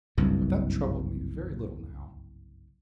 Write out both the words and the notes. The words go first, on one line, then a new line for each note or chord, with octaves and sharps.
But that troubled me very little now.
F#1 C2 G2